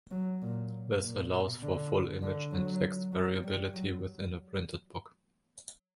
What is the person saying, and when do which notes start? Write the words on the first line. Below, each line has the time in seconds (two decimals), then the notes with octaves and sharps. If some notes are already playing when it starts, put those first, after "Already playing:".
This allows for full image and text variability within a printed book.
0.11 F#3
0.42 A#2
1.03 A#2
1.33 B2
1.62 D3
2.23 D3
2.52 F#3
3.12 F#3
3.44 G3
3.74 F#3